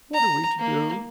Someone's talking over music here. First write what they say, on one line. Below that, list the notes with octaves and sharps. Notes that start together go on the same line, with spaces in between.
"What are we to do?"
A#5
A#3